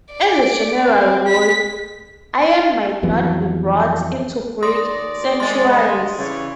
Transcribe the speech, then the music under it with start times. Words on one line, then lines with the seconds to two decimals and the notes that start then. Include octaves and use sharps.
As a general rule, iron might not be brought into Greek sanctuaries.
0.13 D5
0.83 C4
1.27 B6
3.03 F2 E3 F#3 B3
4.63 D#2 D5 C6 D#6 A#6
5.40 G#3 C6 A6
5.72 D3 G3
6.18 C#3 E3 D4 C#5